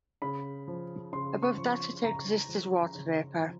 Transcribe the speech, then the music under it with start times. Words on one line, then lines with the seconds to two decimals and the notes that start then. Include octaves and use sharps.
Above that, it exists as water vapor.
0.22 C#3 B5
0.68 F3
1.13 C#3 C6
1.43 C#6
1.57 F3
2.03 C#3 A#5
2.49 F3
2.95 C#3
3.39 F3